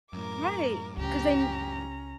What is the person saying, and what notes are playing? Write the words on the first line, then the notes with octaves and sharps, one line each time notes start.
Right, 'cause then
F#2 A2 A#4 D6
C#2 C#4 G4 A#5